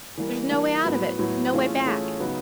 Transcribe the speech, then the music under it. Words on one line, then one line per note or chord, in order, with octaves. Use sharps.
There's no way out of it, no way back.
E3 G3 A#3
E3 G3 A#3
A2 F#3 B3 E4
A2 F#3 B3 E4
E3 A3 C#4 F4 G#4
E3 A3 C#4 F4 G#4
C#3 F#3 B3 D#4